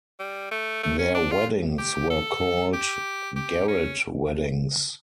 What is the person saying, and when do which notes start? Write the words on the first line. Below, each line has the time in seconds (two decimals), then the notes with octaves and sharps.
Their weddings were called "garret-weddings".
0.20 G3
0.51 A3
0.84 A3
0.99 C#4
1.15 D4
1.32 F4
1.79 G4
2.11 A4
2.74 G4
3.36 G4
3.68 C#4